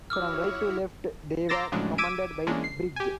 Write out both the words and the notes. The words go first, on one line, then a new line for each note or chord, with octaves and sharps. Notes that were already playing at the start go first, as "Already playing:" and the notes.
From right to left, they were commanded by Brig.
E4 F#4 C#5 D6 E6 F6
A#5 C6 D6 E6 A6 A#6
A2 C#3 F3 F#3 G#3 D4
D6 E6 G#6 B6 D7 D#7
E2 G#3 A#3 C#4 D4
C7
G4 G#5